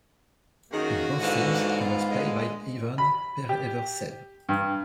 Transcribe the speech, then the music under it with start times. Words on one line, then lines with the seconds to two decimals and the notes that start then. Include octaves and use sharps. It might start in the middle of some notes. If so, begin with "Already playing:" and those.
In both films he was played by Ivan Pereverzev.
0.72 F#2 D#3 A#3 F#4 G#4
1.21 G#2 D3 E3 F5
1.81 B3 F4
2.10 D3 G#3
2.98 B5
3.49 G4
4.49 G2